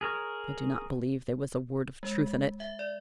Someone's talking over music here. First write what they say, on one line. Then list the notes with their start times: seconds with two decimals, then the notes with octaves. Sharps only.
I do not believe there was a word of truth in it.
0.01 G#4 A#4 C#5
2.03 G#3
2.60 E5
2.79 D5